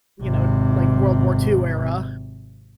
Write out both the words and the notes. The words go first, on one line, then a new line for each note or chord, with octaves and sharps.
you know, like World War II era.
G#1 C3